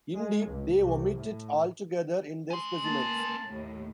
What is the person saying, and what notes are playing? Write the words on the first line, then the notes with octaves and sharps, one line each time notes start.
Indeed, they omit it altogether in their specimens...
G#3
C#2
C2
A2
C#4 C6
A#3 A5
D#2 A2